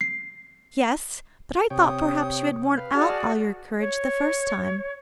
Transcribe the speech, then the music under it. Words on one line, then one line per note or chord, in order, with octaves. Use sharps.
"Yes, but I thought perhaps you had worn out all your courage the first time."
C7
C3 C#5 G5 D#6
B4 F5
F#4 G#4 D5 A5 F6
C#5